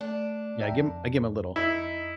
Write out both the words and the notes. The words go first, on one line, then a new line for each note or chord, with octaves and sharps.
Yeah, I give him I give him a little.
A3 D4
E5 G5 A#5
F2
D#4 E4